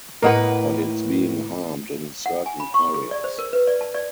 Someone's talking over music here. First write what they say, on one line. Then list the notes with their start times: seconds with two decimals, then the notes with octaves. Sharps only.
But it’s being harmed in certain areas.
0.23 A2 A#3 A#4 B4 D#5 F#5
2.26 F#5
2.46 G#5
2.60 B5
2.74 C#6
2.94 G#4
3.11 D5
3.24 C5
3.39 A#4
3.53 B4
3.67 D5
3.81 A5
3.95 D5